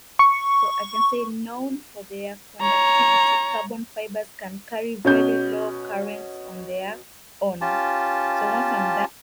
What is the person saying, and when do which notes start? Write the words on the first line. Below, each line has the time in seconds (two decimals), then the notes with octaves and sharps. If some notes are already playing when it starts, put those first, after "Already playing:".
Known for their conductivity, carbon fibers can carry very low currents on their own.
0.19 C#6
2.61 C#5 A#5
5.05 B2 C#4 G6
7.61 C#4 F4 G4 A5